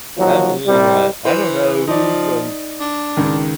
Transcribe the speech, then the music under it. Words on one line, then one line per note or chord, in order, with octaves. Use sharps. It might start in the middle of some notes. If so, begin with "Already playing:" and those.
Absolutely not. I don't know who, like
D#2 F3 F#3
C2 C3 G3
E3 C5
F3 D#4 D5
D4
C#2 D#3